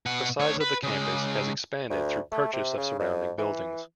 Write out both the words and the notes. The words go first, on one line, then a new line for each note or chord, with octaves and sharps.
The size of the campus has expanded through purchase of surrounding buildings.
B2 F#5
D2 C#5
B4
C#3 G#3
D2
A3
C3
C#3
F2
E3